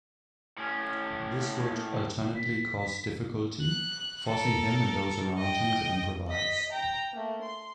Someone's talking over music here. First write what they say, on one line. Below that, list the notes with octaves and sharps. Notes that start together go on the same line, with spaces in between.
This would alternately cause difficulty forcing him and those around him to improvise.
A2 C#4
B6
F#6
A4 A#4
D#5 G5
D#5 B6
G5 A#5
A3 A#3
C6